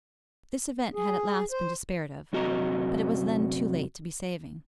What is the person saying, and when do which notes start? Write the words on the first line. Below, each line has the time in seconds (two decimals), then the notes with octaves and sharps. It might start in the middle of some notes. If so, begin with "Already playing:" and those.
This event had at last been despaired of, but it was then too late to be saving.
0.94 G#4
1.51 C5
2.33 F#2 C3 F#4 D#5 A#5